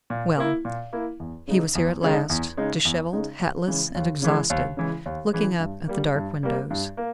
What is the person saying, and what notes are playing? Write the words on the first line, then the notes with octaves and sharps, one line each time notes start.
Well, he was here at last, dishevelled, hatless and exhausted, looking up at the dark windows.
A#2
A#3 E4
A#2
A#3 E4
E2
C#3 G#3 D#4
E2
C#3 G#3 D#4
E2
C#3 G#3 D#4
E2
C#3 G#3 D#4
D#2
C#3 E3 G#3
D#2
C#3 E3 G#3
D#2
C#3 E3 G#3
D#2
C#3 E3 G#3
G2
G3 A#3
G2
G3 A#3
G2
A#3